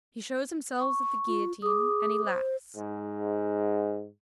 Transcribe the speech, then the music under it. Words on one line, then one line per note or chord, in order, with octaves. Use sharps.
He shows himself at the guillotine, and he laughs.
C#6
F4
G#4 D6 D#6
C5
G#2